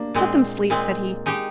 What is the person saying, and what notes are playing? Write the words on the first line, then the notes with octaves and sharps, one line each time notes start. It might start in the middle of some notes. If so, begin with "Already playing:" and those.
"Let them sleep," said he.
Already playing: A#3 D4
A#2 G#3 C4
A#2 G#3 C4
G#3 D#4 G4